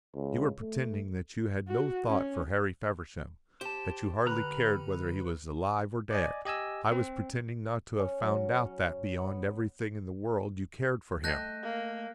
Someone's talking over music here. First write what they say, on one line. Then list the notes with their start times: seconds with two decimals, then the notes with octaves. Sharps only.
You were pretending that you had no thought for Harry Feversham, that you hardly cared whether he was alive or dead. I was pretending not to have found out that beyond everything in the world you cared for him.
0.15 C#2
0.61 A3
1.68 F#4
2.07 C#4
3.61 G4 C5 A5
4.27 D3 B4 A#5 F6 F#6
6.11 D5 D#5 G#5
6.45 G4 D#5 G#5 E6
6.92 C4
7.99 C#4
8.22 F#3
8.65 C#4
9.18 B3
11.24 A3 D#5 G5 F#6 G6 A#6
11.63 A#3